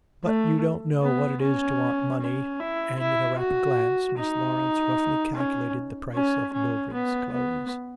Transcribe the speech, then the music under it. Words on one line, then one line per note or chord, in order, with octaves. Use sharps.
But you don't know what it is to want money,' and in a rapid glance Miss Laurence roughly calculated the price of Mildred's clothes.
A3
B3
C#4
C#4
E4
E4
F#4
D#4
C#4
C#4
C#4
B3
B3